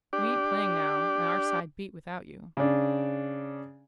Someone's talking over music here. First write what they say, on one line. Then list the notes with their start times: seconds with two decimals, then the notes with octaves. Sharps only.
"We ain't playing now, and our side beat without you."
0.13 D4 G4 D5
2.57 C#3 D4